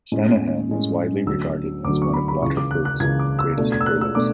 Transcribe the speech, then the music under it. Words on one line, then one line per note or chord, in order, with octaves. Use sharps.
Shanahan is widely regarded as one of Waterford's greatest hurlers.
A2 G#3 C#4
A2 G#3 C#4
D2 D3 F#3 E6
D2 D3 F#3 D6
C#6
B5
B5
C#2 C#3 E3 C#6
D6
F#6
F#6
C#2 C#3 E3 G#6
D6
E6
B2 A3 D4
G#6
E6
F#6
E6
B2 A3 D4 D6